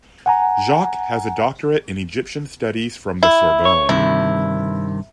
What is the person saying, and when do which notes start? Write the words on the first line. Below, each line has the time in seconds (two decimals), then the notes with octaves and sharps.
Jacq has a doctorate in Egyptian Studies from the Sorbonne.
0.26 F#5 G#5 A#5
3.23 E4
3.65 C#5
3.89 G2 C3 D#3 E4